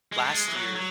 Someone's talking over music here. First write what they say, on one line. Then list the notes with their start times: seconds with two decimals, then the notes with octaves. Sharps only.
last year,
0.12 G#3
0.24 A3
0.33 G#3
0.48 E3
0.55 F#3
0.76 F#3